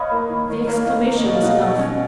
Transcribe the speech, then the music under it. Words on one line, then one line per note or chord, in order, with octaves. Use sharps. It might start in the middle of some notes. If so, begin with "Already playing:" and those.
The exclamation was enough.
Already playing: B4 C#5 D#5 F5
A#3
D#3
D#3
A#3 C#5 F5
D#3
A#3
D#5
B2
F5
D#4 D#5 F#5
B2
C#4